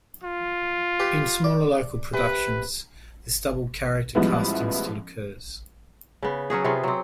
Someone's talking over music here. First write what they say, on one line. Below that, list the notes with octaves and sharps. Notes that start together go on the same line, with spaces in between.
In smaller local productions, this double character casting still occurs.
F4
G4 B4
D5
C3 B4
A1 F3 G3 G#3 B3 E4
C#3 B3
F#3 C#4 F#4 G#4
C3 B3 F4 G#4
F#3 C4